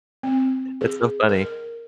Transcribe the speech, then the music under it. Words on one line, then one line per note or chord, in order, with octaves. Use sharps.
That's so funny.
C4
G#4
A#4